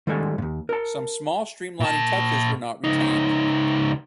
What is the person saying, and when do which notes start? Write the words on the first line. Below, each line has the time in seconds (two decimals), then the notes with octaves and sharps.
Some small streamlining touches were not retained.
0.07 D#3 G3 G#3 A4 F#5 G#5
0.38 D#2 G#2
0.69 A#4 A5
1.80 A#2 A5
2.84 C#2 D#4